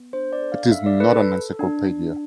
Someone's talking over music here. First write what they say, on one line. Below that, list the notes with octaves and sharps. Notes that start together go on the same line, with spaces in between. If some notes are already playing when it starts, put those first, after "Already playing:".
It is not an encyclopedia.
Already playing: B3
D4 C5
D5
A4
F5
F5
D4 E5
D5
A4 B4
A4
A4
D4
D4